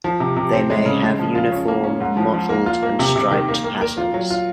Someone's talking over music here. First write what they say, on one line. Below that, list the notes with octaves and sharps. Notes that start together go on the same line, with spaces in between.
They may have uniform, mottled, and striped patterns.
F3
C3
C3
C4
G#3
C#3
G#3
F3
F4
C#4
A#3
C#4
G#2
F3
F3
A#3
F4
A#3
C3
C3
D#3
A#3
A#3
A#4
F4
F#3
F4